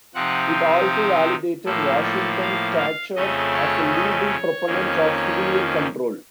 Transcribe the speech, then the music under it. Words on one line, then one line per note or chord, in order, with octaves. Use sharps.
It also validated Washington's stature as a leading proponent of civilian control.
C3 F3 C4 D#4 F#5
C5
A2 F3 A#3 A4
A4
F5
F5
F2 C#3 A3 C#4 D#5
C#5
D#5
C#5
F2 D#3 A#3 C#4